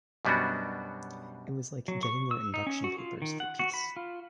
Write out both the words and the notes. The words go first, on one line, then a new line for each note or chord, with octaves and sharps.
It was like getting your induction papers for peace!
F#2 B2 G3 B3 D4 F#4
F#3
C#6
E6
D#4
C#4
F#4
F4
D#3
F#5
F#4
B5
F4